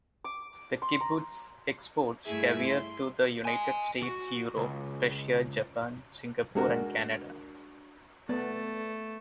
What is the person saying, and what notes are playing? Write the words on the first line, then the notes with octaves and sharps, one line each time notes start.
The kibbutz exports caviar to the United States, Europe, Russia, Japan, Singapore and Canada.
D6
C6
A#5
G2 A3 E4 G#4 E5 G#6
C6
D#5 G#5
F#4
C#2
G#3 D4 F#4 A#4
A3 B3 D5